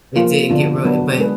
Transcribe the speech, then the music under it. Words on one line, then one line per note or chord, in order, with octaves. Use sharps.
It didn't get real but
F3 A#3 F4 A#4
D3 F3 B3 D4 F4
F#3 B3 D4
G#3 D4 G#4 B4